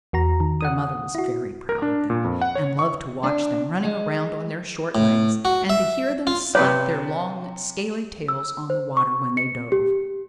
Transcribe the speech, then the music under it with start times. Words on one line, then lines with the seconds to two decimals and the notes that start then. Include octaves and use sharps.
Their mother was very proud of them, and loved to watch them running around on their short legs, and to hear them slap their long, scaly tails on the water when they dove.
0.13 E2 F#4 A#5
0.40 D#3
0.61 F#5 D#6
1.15 E4 F#4
1.69 A#4
1.82 D4
2.10 A#2
2.24 F2
2.41 F#5
2.55 C#5
2.79 C#6
3.24 D4
3.85 G#3
4.95 A2
5.45 F#4
5.70 E5
6.27 F4
6.55 C3 B4 C#5 D5
8.28 E6
8.70 C5
8.97 C#6
9.37 C#7
9.72 G4